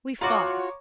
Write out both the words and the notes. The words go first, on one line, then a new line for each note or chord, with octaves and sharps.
We fall.
F4 F#4 C#5 A#5 C#6 D6